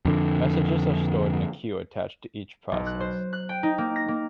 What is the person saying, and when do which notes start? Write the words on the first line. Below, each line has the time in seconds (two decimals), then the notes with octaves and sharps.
Messages are stored in a queue attached to each process.
0.05 F2 D3
2.72 B1
2.86 F#6
3.00 C5
3.33 F#6
3.49 G5
3.63 D#4
3.78 A#3
3.96 A#6
4.08 A#3